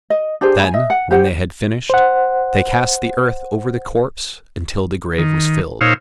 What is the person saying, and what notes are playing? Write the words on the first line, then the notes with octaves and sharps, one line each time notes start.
Then, when they had finished, they cast the earth over the corpse, until the grave was filled.
D#5
D4 G4 G#4 C5
G#5 B5
D#5 E5
F#5
G4 C5 F#5
C5 F#5
D#3
A#2 D#4 C5 C#5 F5 E6